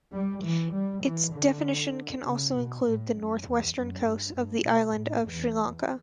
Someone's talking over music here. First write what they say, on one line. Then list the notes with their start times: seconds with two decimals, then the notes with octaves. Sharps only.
Its definition can also include the northwestern coast of the island of Sri Lanka.
0.12 G3
0.43 E3
0.72 G3
1.03 E3
1.33 D3
2.23 C#3
2.54 B2
2.84 A2
3.13 F#2
3.44 E2
3.74 F#2
4.05 G2
4.35 G2
4.64 B2
4.94 A2
5.25 E2